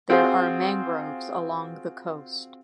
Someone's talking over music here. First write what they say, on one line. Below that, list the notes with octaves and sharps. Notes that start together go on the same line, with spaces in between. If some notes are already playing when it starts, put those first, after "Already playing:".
There are mangroves along the coast.
C4 F4 F#4 G#4 C5